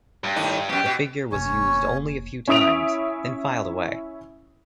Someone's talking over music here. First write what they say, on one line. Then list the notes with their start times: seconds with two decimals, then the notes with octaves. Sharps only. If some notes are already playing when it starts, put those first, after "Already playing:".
The figure was used only a few times, then filed away.
0.24 G2
0.36 A2 D#3 D#4
0.69 F#2 B2 G4
0.86 B2
1.32 F1 A#3 C#4 C#5
2.48 C#4 E4 E5 D#6 D7 F7